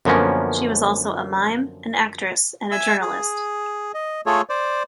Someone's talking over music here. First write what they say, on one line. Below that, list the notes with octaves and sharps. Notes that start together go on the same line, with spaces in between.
She was also a mime, an actress and a journalist.
F#2 D3 F3 A#3 B3 C#4
E5 G#5 E6
G#4
D#5
A3 F4 G#4 A4 C#5
C5 D5